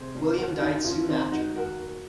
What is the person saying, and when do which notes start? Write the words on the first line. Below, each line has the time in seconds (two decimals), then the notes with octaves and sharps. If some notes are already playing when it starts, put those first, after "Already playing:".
William died soon after.
Already playing: C3 G#4 C5
0.15 C2
0.37 D#2 F#4 A#4
0.61 D#2 D#4 F#4
0.85 D#2 C#4 F4
1.08 D#3 C4 D#4
1.31 G#3 D#4 F#4
1.55 D#2 F#4 A#4
1.79 A#3